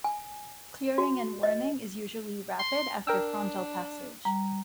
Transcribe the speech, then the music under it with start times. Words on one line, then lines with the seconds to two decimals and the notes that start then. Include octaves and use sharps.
Clearing and warming is usually rapid after frontal passage.
0.04 G#5
0.98 F#4
1.43 D#5
2.59 C6
3.07 D4 A#4 G5 E6
4.25 G3 A#5